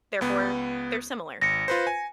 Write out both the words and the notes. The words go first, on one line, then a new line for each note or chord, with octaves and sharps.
therefore, they're similar,
C#2 B3
G#1 A#6 C#7
F4 B4 C5
G#5